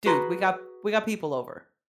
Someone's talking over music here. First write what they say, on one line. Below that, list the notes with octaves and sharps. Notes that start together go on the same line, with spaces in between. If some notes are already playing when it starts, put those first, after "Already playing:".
"Dude, we got we got people over,
F#4 G#4 B4 A5 A#5 C6